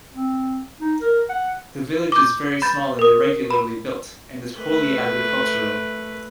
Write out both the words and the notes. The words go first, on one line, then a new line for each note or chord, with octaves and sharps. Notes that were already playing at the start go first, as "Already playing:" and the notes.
The village is very small and irregularly built, and is wholly agricultural.
C4
D#4
A#4
F#5
D6 G6
B5 G6 A6
A#4 D#6
B5
A3 B4